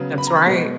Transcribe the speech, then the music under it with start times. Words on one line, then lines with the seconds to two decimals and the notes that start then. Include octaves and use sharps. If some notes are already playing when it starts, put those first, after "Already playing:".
That's right.
Already playing: C#3 F#3 B3
0.18 B5
0.27 A#5
0.36 B5
0.46 B2 G#3 B3